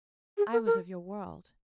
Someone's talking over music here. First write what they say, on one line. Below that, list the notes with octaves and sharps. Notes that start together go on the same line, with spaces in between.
I was of your world.
G#4
A#4
A#4